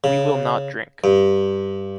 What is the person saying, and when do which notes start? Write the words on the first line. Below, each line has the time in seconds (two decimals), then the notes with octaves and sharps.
We will not drink.
0.04 C#3
1.04 G2